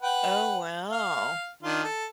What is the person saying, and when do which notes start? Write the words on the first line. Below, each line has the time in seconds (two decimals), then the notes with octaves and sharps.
Oh, wow.
0.02 B4 F#5 G5
0.92 F5
1.63 D#3 D4 F4
1.84 A4